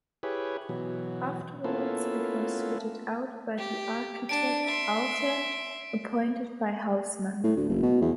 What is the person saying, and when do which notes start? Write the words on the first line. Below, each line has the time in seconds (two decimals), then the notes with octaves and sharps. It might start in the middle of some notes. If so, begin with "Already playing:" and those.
Afterwards it was fitted out by the architect Alphand, appointed by Haussmann.
0.23 E4 G4 G#4 B4 C#5
0.69 B2 E3 F#3
1.64 A#3 B3 C#4 E4 F4 A4
3.58 G4
4.29 D4 A5 D7
4.65 E5 C6
7.44 A2
7.56 D2
7.70 F#1
7.83 B2
8.01 E2